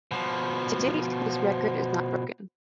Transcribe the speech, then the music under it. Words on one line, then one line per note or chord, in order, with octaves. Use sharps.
To date, this record is not broken.
B2 F3